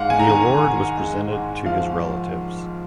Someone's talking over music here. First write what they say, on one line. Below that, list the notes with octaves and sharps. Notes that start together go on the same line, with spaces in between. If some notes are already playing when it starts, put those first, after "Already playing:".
The award was presented to his relatives.
Already playing: G#2 G#3 F5 F#5
G#5
A#5
D#3 G#5
G#2
G#3
G#2
F3 F5